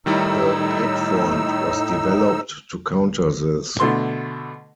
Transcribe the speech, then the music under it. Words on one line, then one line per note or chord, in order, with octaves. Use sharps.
The "pakfront" was developed to counter this.
A2 D#3 G3 D#4 E4 E6
B2 D3 A3 C6